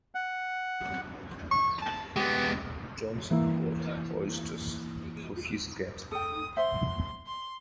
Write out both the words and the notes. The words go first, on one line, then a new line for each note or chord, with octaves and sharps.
Johnson bought oysters for his cat.
F#5
C#6
A5
G#3 B3 G4
E3 A#3 E4
A4 G5 D#6
C5 E5 F#5 C6
C6